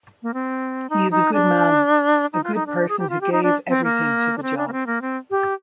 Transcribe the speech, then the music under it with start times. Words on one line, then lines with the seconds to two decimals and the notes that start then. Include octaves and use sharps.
He is a good man; a good person who gave everything to the job.
0.23 A#3
0.34 C4
0.90 D#4
1.11 D#4
1.33 D4
2.33 D#4
2.44 F4
2.55 D#4
2.66 D4
2.89 G#4
2.99 G4
3.10 F4
3.21 G4
3.32 D#4
3.43 D4
3.69 C4
3.84 A#3
4.38 D4
4.42 C4
4.57 D4
4.68 A#3
4.72 C4
4.87 A#3
5.02 C4
5.31 G4